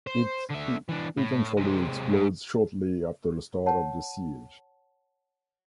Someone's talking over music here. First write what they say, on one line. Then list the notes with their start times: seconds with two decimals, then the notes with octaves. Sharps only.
It/He eventually explodes shortly after the start of the siege.
0.07 C5
0.50 D3 E5
0.89 E3 D4
1.18 A2
1.57 C3 G#3
2.13 G#2
3.66 C#5 F#5 A5